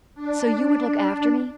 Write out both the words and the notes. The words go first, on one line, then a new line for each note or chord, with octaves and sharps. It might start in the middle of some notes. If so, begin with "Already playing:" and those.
"So you would look after me?"
D4